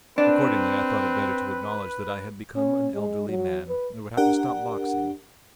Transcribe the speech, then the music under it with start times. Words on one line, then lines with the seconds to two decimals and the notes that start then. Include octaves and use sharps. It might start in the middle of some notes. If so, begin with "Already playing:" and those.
Accordingly I thought it better to acknowledge that I had become an elderly man and would have to stop boxing.
0.18 C4 D4 B4
2.55 C#4
2.94 G#3
3.28 F#3
3.69 B4
4.17 D4 G4 A#4 F#5